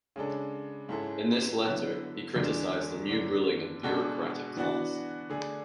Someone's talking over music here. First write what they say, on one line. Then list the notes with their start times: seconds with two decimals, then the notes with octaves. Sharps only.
In this letter he criticized a new ruling and bureaucratic class.
0.16 C#3 G#3 D4 A4
0.89 G#2 G#3 C#4 E4 A4
1.62 D3 F#3 B3 E4
2.36 E2 D3 G#3 D4
3.09 F#2 D3 A3 D4
3.83 B2 G#3 D4 F#4 A4
4.57 E3 B3 D4 F#4
5.29 D3 A3 D4 G#4